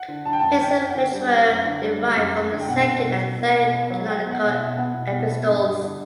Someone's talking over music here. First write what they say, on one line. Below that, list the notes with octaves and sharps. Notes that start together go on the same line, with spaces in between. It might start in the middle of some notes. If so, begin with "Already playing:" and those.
Basil which were derived from his second and third canonical epistles.
Already playing: F#5
D3
D3 A5
G5
F#2 A5
C#4 G5
C#4
F#5
D3 G5
G3
C#4 F#5
F#2
D3
G3
G3
F#2
F#2
D3
G5
B2 F#5
B2
B2
B2
B2
B2
B3
F#3
F#3 G5
B3
F#5
B2
E5
B2
B3 F#5
B2
B2
B3
G2
G3
D3